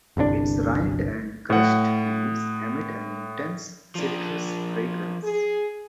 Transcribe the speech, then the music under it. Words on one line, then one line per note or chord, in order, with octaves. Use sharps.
Its rind and crushed leaves emit an intense citrus fragrance.
G1 C2 B2 D4
A2 F#5
F3 D4
G#4